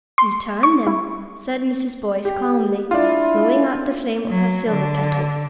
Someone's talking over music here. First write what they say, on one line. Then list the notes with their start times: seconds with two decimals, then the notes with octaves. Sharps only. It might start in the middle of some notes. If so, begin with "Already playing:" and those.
"Return them," said Mrs. Boyce, calmly, blowing out the flame of her silver kettle.
0.18 C6
0.63 C#6
0.87 E4
2.25 G4
2.91 D4 E4 F4
4.29 F#3
4.69 D3